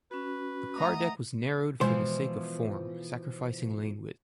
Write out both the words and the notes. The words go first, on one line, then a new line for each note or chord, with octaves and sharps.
The car deck was narrowed for the sake of form, sacrificing lane width.
C#4 F#4 B4
A3 D#5 E5 F#5 A#5 D#6
B2 E3 F3 G#3 C5